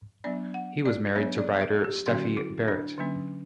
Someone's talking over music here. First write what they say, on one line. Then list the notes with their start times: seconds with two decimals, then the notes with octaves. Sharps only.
He was married to writer Steffi Barrett.
0.24 F#3 B3 D4 D5
0.54 F#5
0.85 D5
1.15 F#3 B3 D4 C#5
1.38 D5
1.61 E5
1.84 G4
2.06 D3 F#3 A#3 C#4 F#4
2.37 E4
2.68 D4
2.98 D3 F#3 A#3 C#4